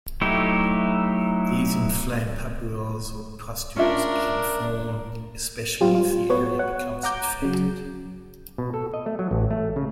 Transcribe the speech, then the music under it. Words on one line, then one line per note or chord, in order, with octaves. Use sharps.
These inflamed papules or pustules can form especially if the area becomes infected.
F#3 A3 D#4 E4 G4
C#4 D4 F4 A#4 E5
F#3 G3 C4 F4
F4
B3 F#4 C#5
C#5 F#5
F#5 A#5 D6 G6
C#3 F#3
B2
A4
D#5
A3
F#3
A1
A3
C#3